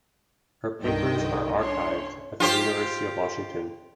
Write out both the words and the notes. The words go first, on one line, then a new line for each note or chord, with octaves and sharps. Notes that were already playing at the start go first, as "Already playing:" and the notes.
Her papers are archived at the University of Washington.
C2 G2 D3 D#3 D#5 G5
C#4 D4 C#5 C6
F4 G4 C5